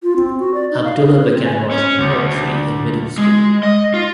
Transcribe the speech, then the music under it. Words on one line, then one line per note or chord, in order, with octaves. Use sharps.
Abdullah began writing poetry in middle school.
F4
C4
F#4
D5
D#4
F5
G#4
B4
C4
G#5
C#4
D2
G#3
D#5
F4